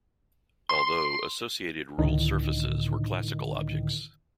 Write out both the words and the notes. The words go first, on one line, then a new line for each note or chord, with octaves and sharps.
Although, associated ruled surfaces were classical objects.
C6
C#2 A2 D3 D#3